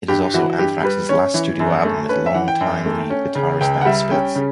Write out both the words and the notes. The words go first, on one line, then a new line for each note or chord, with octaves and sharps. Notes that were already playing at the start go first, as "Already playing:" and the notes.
It is also Anthrax's last studio album with longtime lead guitarist Dan Spitz.
G2 G4
E3 F#4
G2 G4
G3 B4
C#4 C#5
E3
F#2
A3
C#4 B4
E5
E3 F#5
G5
F#2
A3
C#4
C#3
C#2 G5
F#5
G3 E5
C#4 G5
C#3